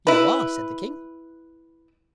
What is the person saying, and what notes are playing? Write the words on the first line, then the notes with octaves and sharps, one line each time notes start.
'You are,' said the King.
E4 B4